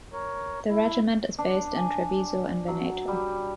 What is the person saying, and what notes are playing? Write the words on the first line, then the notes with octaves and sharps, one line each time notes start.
The regiment is based in Treviso in Veneto.
A#4 C#5
E4
D4
G#5
F#3
G3